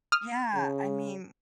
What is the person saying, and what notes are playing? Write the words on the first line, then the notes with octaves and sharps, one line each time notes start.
Yeah, I mean,
D#6 F6
C#3